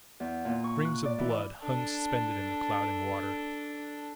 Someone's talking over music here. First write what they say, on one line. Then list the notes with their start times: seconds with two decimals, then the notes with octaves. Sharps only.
Strings of blood hung suspended in the clouding water.
0.20 E2
0.45 A#2
0.64 C#6
0.85 F#6
1.05 D5
1.18 E3
1.30 D5
1.62 D4 A4